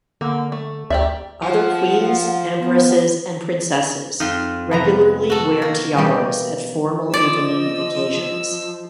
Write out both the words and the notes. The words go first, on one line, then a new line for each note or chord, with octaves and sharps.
Other queens, empresses, and princesses regularly wear tiaras at formal evening occasions.
D3 A#3
A3
D2 G4 D5 E5
F3 F#5
B3
F2 D#4 F4 C6
C3 F3 B3 A#5
F#4 A4
A#3
B2 E3 G3 G4
F3 D5 D#5 E6